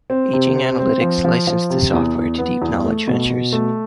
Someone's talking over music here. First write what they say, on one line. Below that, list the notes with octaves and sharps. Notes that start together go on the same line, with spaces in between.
Aging Analytics licensed the software to Deep Knowledge Ventures.
C4
C3
C4
C4
F3
F3
F3
C3
E2
E2
B3
E2
A3
B2
B2
A3